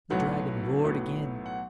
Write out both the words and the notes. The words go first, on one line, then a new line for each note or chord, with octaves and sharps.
The dragon roared again.
B1 A2 F#3 B3 F#5
B1 A2 F#3 B3
F#5